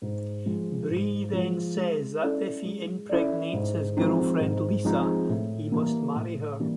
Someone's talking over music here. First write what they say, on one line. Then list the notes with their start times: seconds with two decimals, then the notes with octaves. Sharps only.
Bree then says that if he impregnates his girlfriend Lisa, he must marry her.
0.02 G#2
0.46 F3 G#3
0.90 G#2
1.33 F3 G#3
1.77 G#3
2.21 C#4 E4 A4 D5
2.65 G#3
3.09 C#4 E4 A4 D5
3.53 G#2
3.97 F3 G#3 C4 D#4
4.40 G#2
4.84 F3 G#3 C4 D#4
5.29 A2
5.72 E3 G3 A#3
6.16 A2
6.60 E3 G3 A#3